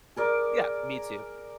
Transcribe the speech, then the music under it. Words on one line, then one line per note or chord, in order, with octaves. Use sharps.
Yeah, me too.
G#4 A#4 D5